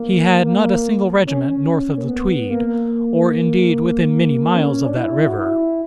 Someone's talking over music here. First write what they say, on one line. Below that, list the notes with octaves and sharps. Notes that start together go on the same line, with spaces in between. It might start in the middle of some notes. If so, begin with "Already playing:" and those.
He had not a single regiment north of the Tweed, or indeed within many miles of that river.
Already playing: A#3
A#3
C#4
A#3
B3
A#3
C#4
D4
E4
F#4
E4